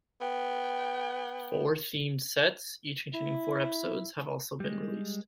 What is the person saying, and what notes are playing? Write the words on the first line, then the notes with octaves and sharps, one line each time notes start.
Four themed sets, each containing four episodes, have also been released.
B3 G5
E4
G3 G#3